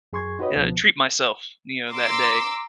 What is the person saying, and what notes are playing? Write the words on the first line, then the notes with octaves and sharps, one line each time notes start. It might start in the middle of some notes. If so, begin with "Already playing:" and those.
And I treat myself, you know, that day.
F#2 G#4 C6 C#6 G#6
D#4 F#4 G4 B4 C#5 D#5
C#2 B2 F3 B3
A#5 C6 D6 E6